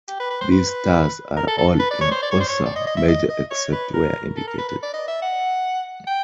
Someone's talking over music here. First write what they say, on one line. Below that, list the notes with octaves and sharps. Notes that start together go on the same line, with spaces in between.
These stars are all in Ursa Major except where indicated.
G4
B4
B4
C5
B4
A#4
A4
A4
B4
D5
C#5
C5
D5
C#5
C5
C#5
D5
D#5
D#5
E5
D#5
D#5
C#5
B4
A#4
A4
A#4
B4
B4
D5
D#5
E5
F#5
G5